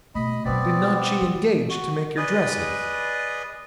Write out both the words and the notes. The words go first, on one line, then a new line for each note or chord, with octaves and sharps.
Did not she engage to make your dresses?'
B2 A3 D#5 B5
B2 F#3 B3 C4 D5
E3
F#4
G#4 B4 D5 D#5